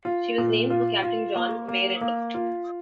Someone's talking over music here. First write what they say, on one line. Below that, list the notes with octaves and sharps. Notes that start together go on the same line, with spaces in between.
She was named for Captain John Mayrant.
F4
A#2
F4
F4
A#3
A#3
A#3
F4